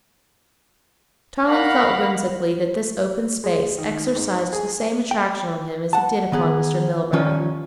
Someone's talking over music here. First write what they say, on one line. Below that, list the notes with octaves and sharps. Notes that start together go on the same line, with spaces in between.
Tarling thought whimsically that this open space exercised the same attraction on him as it did upon Mr. Milburgh.
A#4 F5 F#5 B5
G#3
D#3
G#2
G#4
G5
F#5 A5
D#3 B3 G#4
D#3 F3 G3 C#4 F4